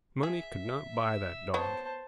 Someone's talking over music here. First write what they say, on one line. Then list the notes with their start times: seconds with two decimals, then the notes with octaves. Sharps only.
Money could not buy that dog.
0.23 G#4 E5
1.54 B3 C5 C#5 A5